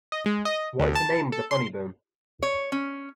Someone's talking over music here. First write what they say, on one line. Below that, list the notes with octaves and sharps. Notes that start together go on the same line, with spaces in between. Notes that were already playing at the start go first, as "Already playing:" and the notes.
What is the name of the funny bone?
D#5
G#3
D#5
D2
A5
A4
C6
C#5
C#4